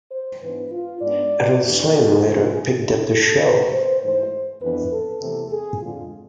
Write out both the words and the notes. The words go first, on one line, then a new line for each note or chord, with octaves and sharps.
Adult Swim later picked up the show.
C5
G#2 E3 B3 D4 B4
F4
G#2 G#3 B3 D4 D5
F2 E3 A3 D4
A4
E2 C3 F3 A3 D4 F4
G#4
A2 G#3 D4 G#4
A4
F2 C3 G#3 C4 B4
C5
G#2 E3 A3 C5
F2 E3 B3 D4 B4
A4
E2 C3 E3 A3
G#4
F2 D3 G#3 C4 F4